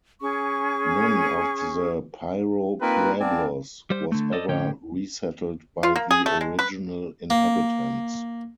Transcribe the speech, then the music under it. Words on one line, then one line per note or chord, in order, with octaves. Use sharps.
None of the Piro pueblos was ever resettled by the original inhabitants.
C#4 G#4 C#6
A#3 C4 D#4 F4 B4
B3 C4 D5 F5 G#5 A5
G3 C5
D3 A3
A4 C5 D5 D#5
A2 D3 C#4 C#5 G5
F4
A#3
G#4
A3
G#3
B4
A#3